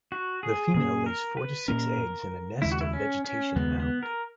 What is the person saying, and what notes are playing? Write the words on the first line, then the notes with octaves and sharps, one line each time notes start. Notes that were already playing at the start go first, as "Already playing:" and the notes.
The female lays four to six eggs in a nest of vegetation mound.
F#4
G#4
A#2 A#3 C#4 G#4
A#4
B4
A#2 A#3 C#4 A#4
D#2 C#3 G#3 E4
F#4
E4
C#4
C#4
D#2 C#3 G#3 B3
B3
A#4